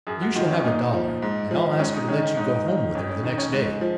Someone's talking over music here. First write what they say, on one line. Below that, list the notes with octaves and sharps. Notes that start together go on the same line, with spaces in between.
You shall have a dollar, and I'll ask her to let you go home with her the next day.
F#2 G#4
F#4
D#3 F4
C#4
A#2 D#4
F3
G#2
F3
G#2 C#4
D#4
D#3 C#4
C#4
G#2 D#4
D#3
F2 C#4
C#4
D#3 D#4
C#4
G#2
F3